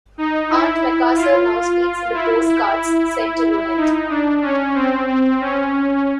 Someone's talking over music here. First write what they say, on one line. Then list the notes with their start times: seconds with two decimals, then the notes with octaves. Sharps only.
Auntie Macassar now speaks in the postcards sent to Loonette.
0.18 D#4
0.50 E4
1.15 F4
2.14 E4
2.46 E4
3.77 D#4
4.09 D4
4.42 C#4
4.74 C4
5.08 C4
5.41 C#4